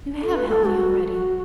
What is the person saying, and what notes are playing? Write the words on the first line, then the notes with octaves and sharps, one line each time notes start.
You HAVE helped me already.
A4
B4
A4
F#4
F#4